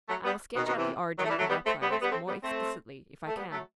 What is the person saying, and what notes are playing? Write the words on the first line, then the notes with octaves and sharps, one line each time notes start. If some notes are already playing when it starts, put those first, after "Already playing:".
I will sketch out the origin of our plays more explicitly if I can.
F#3 A3
G3 B3
B2 D#3
B2 D#3
C3 E3
D#3 F#3
A3
E3 G3
F#3 A3
G3 B3
A3 C4
G3 B3
A3 C4
G3 B3
A3 C4
G3 B3
A3 C4
A3
G3 B3
F#3 A3